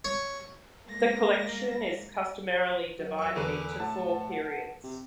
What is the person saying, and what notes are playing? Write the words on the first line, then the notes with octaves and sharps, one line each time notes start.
The collection is customarily divided into four periods.
C#5
G#3 A#3 A#6
F#3 A#4
C#6 E6
E2 D3 B4
A2 F#5 A5
C3